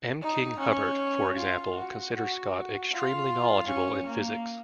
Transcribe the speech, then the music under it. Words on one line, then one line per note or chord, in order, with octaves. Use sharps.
M. King Hubbert, for example, considered Scott extremely knowledgeable in physics.
D#4
C#4
F4
F#4
F#4
F4
C#4
A#3